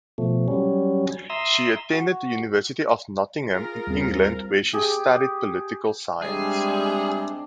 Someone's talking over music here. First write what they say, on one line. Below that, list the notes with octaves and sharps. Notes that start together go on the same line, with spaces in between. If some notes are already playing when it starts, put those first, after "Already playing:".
She attended the University of Nottingham in England where she studied political science.
B2 F3 A3
F#3 G3 C#4
E5 A#5 C6 D#6 E6
F#4
F4 G#4 A#4
D#2 G3 C4
G4 G#4
G3 G#3 C4 D4 G#4 E5